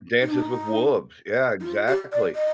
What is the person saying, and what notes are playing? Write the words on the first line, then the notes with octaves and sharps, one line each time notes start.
Dances with Wolves, yeah, exactly.
D#4
D4
D#4
D#4
F4
G4
D5
D#5